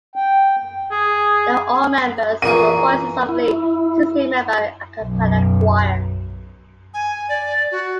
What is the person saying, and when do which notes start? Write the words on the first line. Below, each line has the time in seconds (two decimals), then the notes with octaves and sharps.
They were all members of the Voices of Lee, sixteen-member a cappella choir.
0.16 G5
0.92 G#4
2.42 A#2 E3 G#4 A#5 C#6 D#7
3.29 E4
5.04 B1 F#2
6.94 G#5
7.29 D5
7.71 F#4